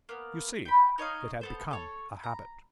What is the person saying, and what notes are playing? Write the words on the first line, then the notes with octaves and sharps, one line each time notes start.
You see, it had become a habit.
A#3 B3
G5 B5
D#4 C#5 D#5 F5
B3 A4 C5
A4 C#5
A#5